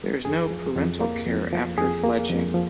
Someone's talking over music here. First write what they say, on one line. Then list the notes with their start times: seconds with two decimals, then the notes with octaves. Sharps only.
There is no parental care after fledging.
0.25 F2 G#4
0.51 F3
0.76 F2
1.01 A#3
1.27 F2
1.53 F3
1.78 F2 G#4
2.03 A#3
2.29 F2
2.54 F3